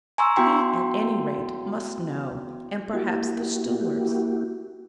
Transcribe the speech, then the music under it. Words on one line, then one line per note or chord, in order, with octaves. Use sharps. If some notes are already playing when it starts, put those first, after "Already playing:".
He, at any rate, must know, and perhaps the stewards.'
G#5 A#5 C6 C#6 E6
B3 E4 F#4 G5 C6
A#3 E4 F#4 G4